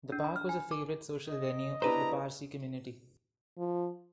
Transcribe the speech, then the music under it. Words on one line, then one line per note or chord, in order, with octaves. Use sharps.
The park was a favourite social venue of the Parsi community.
D4
B5
F6
G#5
D6
D#5
B3 D4 E4 G4 B4 C5 A#5
F3